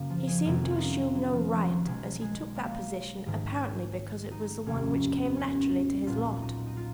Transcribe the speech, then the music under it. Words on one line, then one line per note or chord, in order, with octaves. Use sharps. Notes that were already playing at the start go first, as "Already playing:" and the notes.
He seemed to assume no right, as he took that position apparently because it was the one which came naturally to his lot.
Already playing: F#1 F#2 C#3 A#3
F3
G#3
F1 F2 D#3 A#3
C#4
F4
D#4
F#3
F#3
F3
F#3
B1 B2 G#3
G#3
A#3
G#1 G#2 D#3
D#4
F1 D#2 D#3 C#4
B3
C#4
B1 A#2 F4
D#4
D#4
F4